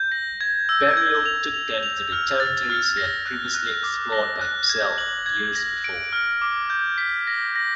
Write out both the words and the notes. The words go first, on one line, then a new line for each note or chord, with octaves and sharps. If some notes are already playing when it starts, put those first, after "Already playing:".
Berrio took them to the territories he had previously explored by himself years before.
Already playing: G6
A#6
G#6
E6
G#6
F7
F7
F7
F6
A6
F6
A#6
F#6
F#6
D6
A#6
F#6
G#6
F#7
G#6
A#6
D7
F6
D6
G6
B6
A#6
A#6